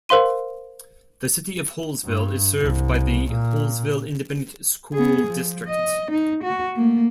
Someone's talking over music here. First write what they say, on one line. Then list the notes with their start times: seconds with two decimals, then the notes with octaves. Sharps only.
The City of Hallsville is served by the Hallsville Independent School District.
0.09 A#4 C5 F5 C6 D#7
2.05 G2
2.61 C2
3.29 A#2
4.94 B3 G#4
5.27 F3
5.68 D#5
6.11 D#4
6.44 F#4
6.76 A3 A#3